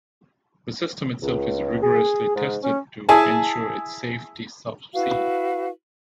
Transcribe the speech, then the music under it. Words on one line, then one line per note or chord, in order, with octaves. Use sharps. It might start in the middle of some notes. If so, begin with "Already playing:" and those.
The system itself is rigorously tested to ensure its safety subsea.
C#2
G#4
G#2
C#4
E4 G#4 G#5 A5
E4 F#4 B4 F5